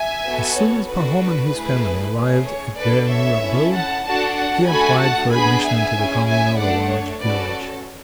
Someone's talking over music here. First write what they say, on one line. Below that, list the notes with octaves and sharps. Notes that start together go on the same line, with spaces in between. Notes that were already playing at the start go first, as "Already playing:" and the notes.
As soon as Pahom and his family arrived at their new abode, he applied for admission into the Commune of a large village.
Already playing: E5 G#5
B3 F#4 A4
C#5
D4 F#4 A4 B4
B4
A3 E4 G#4
A3 C#4 G#4
C#5
B3 D4 A4 B4 D5
C#5 E5
C#4 E4 A4
F#5 A5
D4 F#4 A4 F#5 A5
F#5 A5
A3 D4 F#4 A4 G#5 B5
F#5 A5
B3 D4 G#4 G#5 B5
E5 G#5
C#4 E4 G#4
E5 G#5
A3 D4 A4 D5 F#5
C#5
C#4 F#4 A4 B4 D5